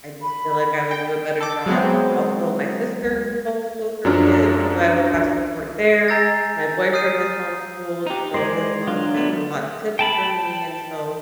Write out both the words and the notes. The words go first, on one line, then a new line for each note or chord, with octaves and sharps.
I just feel like I would do a better job. Also, my sister homeschools her kids, so I would have support there. My boyfriend was homeschooled, so his mom has a lotta tips for me, and so
B5
G5
A4 D6
F#3 G#3 B3 C4
F#2 F3 F#3 D4 A#5 F6
G#5 A#5 E6 G6 A6
D#6 F6 G6 C7 D#7
D#4 G4
G#3 C5 D5 G#5
F#3 D4 F4
A3 B3
G5 A5 B5